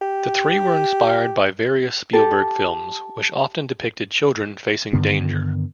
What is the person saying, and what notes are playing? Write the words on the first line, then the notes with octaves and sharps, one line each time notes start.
The three were inspired by various Spielberg films which often depicted children facing danger.
G4
G4 A4
G2 D3 D#3 B3